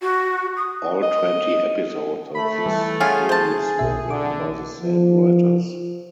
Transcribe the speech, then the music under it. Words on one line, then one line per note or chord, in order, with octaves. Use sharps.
All twenty episodes of this series were written by the same writers.
F#4
D#6
D#5
A3 B5
E3 G3
C#4 F4 G#4 E5 F#5 G#5
C5 A5
B1 B2 E5
D3 D6
F3